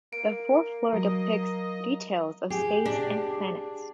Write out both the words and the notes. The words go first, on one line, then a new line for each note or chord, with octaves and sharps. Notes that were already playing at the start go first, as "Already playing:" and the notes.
The fourth floor depicts details of space and planets.
A#3 D7
F#3 D#5 A#5
G4 G#4
D4